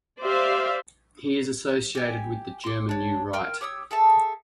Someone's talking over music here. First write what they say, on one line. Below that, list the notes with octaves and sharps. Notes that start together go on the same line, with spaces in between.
He is associated with the German New Right.
G4 C5 D5 E5 F5
G4 G#5
C6 D6
D4 C#5
A#4 G5 C6 F6
G4 C#5 D#6 E6
G#4 A4 E5 A5